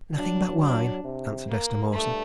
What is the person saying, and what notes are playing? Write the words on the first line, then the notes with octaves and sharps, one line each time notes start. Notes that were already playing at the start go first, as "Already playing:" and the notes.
"Nothing but wine," answered Esther Mawson.
F#3 D4
D4
C3
A#3
G2 A3